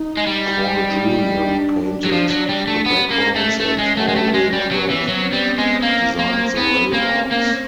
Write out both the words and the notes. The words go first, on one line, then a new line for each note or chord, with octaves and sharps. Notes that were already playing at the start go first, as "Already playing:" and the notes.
Paul Julian painted the backgrounds and Hawley Pratt designed the layouts.
Already playing: D#4
G#3
G3
D4
F#3
F3
F#3
G3
A3
B3 C#4
A#3
A3
A3
G#3
A3
G#3
A3
G#3 C#4
G3
F#3 B3
E3
F#3 C4
G3
G#3
A#3
A#3
B3 C#4
A#3
A#3